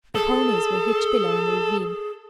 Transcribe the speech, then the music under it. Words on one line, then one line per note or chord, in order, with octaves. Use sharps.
The ponies were hitched below in the ravine.
G#4 A4